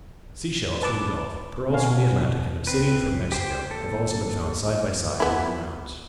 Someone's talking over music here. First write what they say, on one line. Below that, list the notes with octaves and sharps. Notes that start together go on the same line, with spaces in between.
Sea-shells from the Gulf, pearls from the Atlantic, and obsidian from Mexico, have also been found side by side in their mounds.
B4 A5 D6
B2 C#4 F5
C#2 C4 B4
G4 C5 G5
G#1 A#3 A4
B3 E4